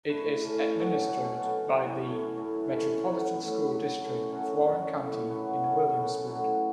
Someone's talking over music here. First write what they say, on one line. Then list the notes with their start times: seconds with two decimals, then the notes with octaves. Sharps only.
It is administered by the Metropolitan School District of Warren County in Williamsport.
0.09 A3 E4 B4
0.41 A2 A3 C#4
0.74 F#3 C#4 A4 C#5
1.06 B2 A3 C#4 F#4
1.39 B2 B3 A4
1.71 E3 C#4 F#4
2.05 A3 C#4 E4
2.37 F#2 E3 A3
2.69 E3 C#4 A4
3.02 B2 B3 A4 C#5
3.34 A2 F#3 B3
3.67 F#2 F#3 B3
4.00 A3 C#4 E4
4.31 F#3 C#4 F#4 A4
4.65 F#2 C#3 F#3 C#4
4.96 A3 E4 C#5
5.29 F#3 B3 F#4 B4
5.62 F#3 C#4 A4 C#5
5.94 C#3 F#3 B3 A4
6.27 B2 F#3 A3 E4